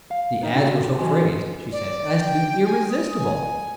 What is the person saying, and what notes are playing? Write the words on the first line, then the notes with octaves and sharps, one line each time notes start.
The ads were so phrased, she said, as to be irresistible.
F5
B3 D#4 A#4 D#5
C#4 D#4 F#4 A4
E3 F#3 F#4 D#5 G#5 C6
D5
G5
G#5
D#6
G#5